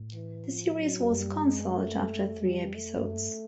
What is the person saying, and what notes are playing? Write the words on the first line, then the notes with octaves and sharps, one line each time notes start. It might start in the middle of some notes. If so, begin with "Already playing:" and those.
The series was canceled after three episodes.
Already playing: A2
E3
F3
F#3
F2
F#2 G3
G2
F#2 G#3
A3
E2
F2 G3
A3
G2
F#2
G2